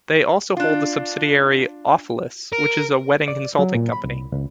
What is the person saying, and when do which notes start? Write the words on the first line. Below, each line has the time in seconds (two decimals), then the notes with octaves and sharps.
They also hold a subsidiary "Ofelis", which is a wedding consulting company.
0.57 D4 F4
2.53 A#4
3.28 D5
3.59 F#3
3.75 A#2
3.92 B5
4.04 C2
4.32 C#2